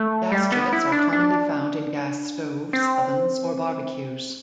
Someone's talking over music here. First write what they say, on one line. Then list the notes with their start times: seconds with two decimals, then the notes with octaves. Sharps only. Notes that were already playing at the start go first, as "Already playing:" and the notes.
Gas jets are commonly found in gas stoves, ovens, or barbecues.
Already playing: A3
0.32 G3
0.52 B3
0.73 E4
0.92 D4
1.13 D4
2.73 C4